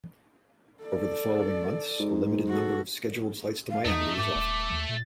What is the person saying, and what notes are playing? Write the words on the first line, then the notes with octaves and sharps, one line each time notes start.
Over the following months, a limited number of scheduled flights to Miami was offered.
A4 D5
G#2
F#4 A4
F5
E2 A3 D#4
G#2 D6
D#1
D#2
A#2